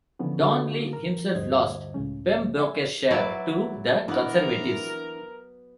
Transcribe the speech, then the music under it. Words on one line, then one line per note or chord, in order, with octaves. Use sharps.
Donnelly himself lost Pembrokeshire to the Conservatives.
D3 E3 F3 B3 C#4
D3 D4 F4 F#4 A4
A#4
D2 G2 D3 C5 D#5 G#6
C#2 A2 C#3 C#4
E5 G#5
F#3 E4 B4 D5 E5 F#5
E3 B3 D4 A#4 F#5